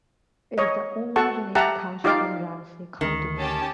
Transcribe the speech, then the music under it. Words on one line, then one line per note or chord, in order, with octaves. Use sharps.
It is the only remaining township in Ramsey County.
C#5 D#5
F#4 A4 F#5 A5 C#6
G4 E5 F#5 A5 A#5
D#4 F4 G4 D5 F5 D6
D2 D#3
C#4 G4 A5